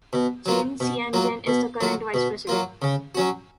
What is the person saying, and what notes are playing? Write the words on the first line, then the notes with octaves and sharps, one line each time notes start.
Chen Chien-jen is the current Vice President.
B2
F#3 A#3 F4
B2
F#3 A#3 F4
B2
F#3 A#3 F4
B2
F#3 A#3 F4
C#3
F#3 C#4 F#4